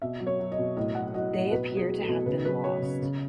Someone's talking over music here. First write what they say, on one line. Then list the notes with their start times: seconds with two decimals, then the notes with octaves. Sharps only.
They appear to have been lost.
0.02 B2 E5
0.20 F#3
0.27 C#5
0.40 F#3
0.52 D#5
0.58 B2
0.77 A2 D#5
0.95 F#3 F#5
1.14 F#3 D#5
1.33 A2 D#5
1.51 B2 B4
1.70 F#3
1.77 G#4
1.88 F#3
2.01 A4
2.08 B2
2.26 C#3 B4
2.45 F#3 B4
2.64 F#3 C#5
2.82 C#3
3.02 C#3